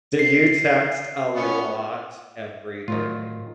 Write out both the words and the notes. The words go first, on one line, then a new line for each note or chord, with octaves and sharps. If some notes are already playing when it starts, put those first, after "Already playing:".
Do you text a lot every day?
C7
B3 C#4
A2 D#3 F#3 F4